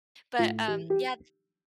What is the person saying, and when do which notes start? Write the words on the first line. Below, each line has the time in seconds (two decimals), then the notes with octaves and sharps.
But, um, yeah, th
0.39 A2 F4
0.68 E3 G4
0.90 G4